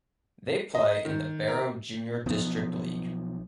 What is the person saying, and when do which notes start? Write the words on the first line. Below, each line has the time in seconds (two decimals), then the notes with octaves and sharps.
They play in the Barrow junior district league.
0.75 D#5
1.05 D#3
1.48 A#4
2.26 B1 F3 B3